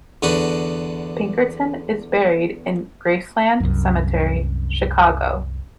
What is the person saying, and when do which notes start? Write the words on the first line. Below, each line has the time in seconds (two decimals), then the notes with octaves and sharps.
Pinkerton is buried in Graceland Cemetery, Chicago.
0.23 E2 D3 D4 F#4 B4
3.60 C2 F#2